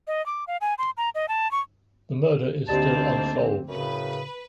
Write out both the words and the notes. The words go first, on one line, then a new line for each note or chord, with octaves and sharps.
The murder is still unsolved.
D#5
D6
F5
G#5
C6
A#5
D#5
A5
C#6
D2 A#3 C4 D#4 G4 C5 D5 A5
F#2 A2 C#3 B4